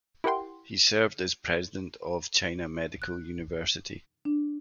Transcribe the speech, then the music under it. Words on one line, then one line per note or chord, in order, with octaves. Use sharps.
He served as President of China Medical University.
E4 G4 A#4 F#5 G5 C6
F#6
D4